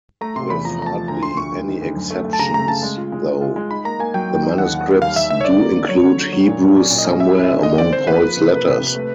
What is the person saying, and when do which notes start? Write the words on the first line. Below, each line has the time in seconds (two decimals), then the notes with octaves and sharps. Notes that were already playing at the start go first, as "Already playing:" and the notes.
With hardly any exceptions, though, the manuscripts do include Hebrews somewhere among Paul's letters.
0.21 A3 A#5
0.36 C3 C6
0.50 E2 B5
0.65 F3 A#5
0.79 A3 A#5
0.86 A5
0.94 F3
1.08 D2 A#5
1.23 D2 C6
1.37 D2 C#6
1.52 D2
1.67 D#3
1.82 D2
1.96 F#2
2.10 A3
2.25 A3
2.33 A5
2.39 C#3 A#5
2.54 A3 A#5
2.68 C#3 A5
2.83 G#3
2.97 F4
3.12 G#3
3.27 F4
3.41 F4
3.56 G#3
3.71 D#4 B5
3.85 A#3 A#5
3.99 A#3 G#5
4.14 F#3 G5
4.29 F#3
4.43 D#4
4.58 D#2 F#5
4.72 D#2
4.87 G3
5.01 D#2 F5
5.16 D#2 E5
5.30 D#3 E5
5.41 C#5
5.45 D3 D5
5.60 A#3
5.74 D3
5.89 F#3 C#5
6.03 D3
6.18 D3
6.33 F#3 C#5
6.47 A#2
6.62 F#3
6.76 C#4 D5
6.90 A#2
6.98 D#5
7.05 C#4
7.20 G3 E5
7.34 E4
7.50 D3
7.63 D3 D#5
7.78 C4 D5
7.93 C4 C5
8.07 A#3 B4
8.22 F3
8.37 C3
8.51 A#3
8.66 C3
8.80 C3
8.95 A3